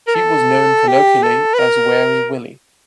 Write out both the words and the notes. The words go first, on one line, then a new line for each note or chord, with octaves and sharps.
She was known colloquially as "Weary Willy".
A#4
A4
G4
A4
B4
A#4